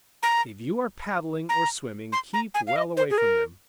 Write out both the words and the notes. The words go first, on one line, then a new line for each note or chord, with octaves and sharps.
If you are paddling or swimming, keep well away from them.
A#5
A#5
C6
A#5
G#5
F5
D#5
C5
G#4
A#4